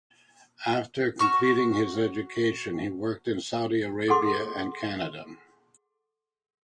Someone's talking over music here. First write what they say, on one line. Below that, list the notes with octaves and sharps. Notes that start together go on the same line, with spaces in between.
After completing his education he worked in Saudia Arabia and Canada.
F#4 C#6 F6
G#4 A4 F#5 C6 D6